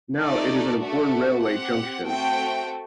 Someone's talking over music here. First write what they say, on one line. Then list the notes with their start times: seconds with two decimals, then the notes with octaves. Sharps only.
Now it is an important railway junction.
0.18 A3 D#4 A4 D5
0.81 A3 D4 F#4 A4
1.44 C4 G4 F#5
2.07 A3 C4 F#4 A4 G5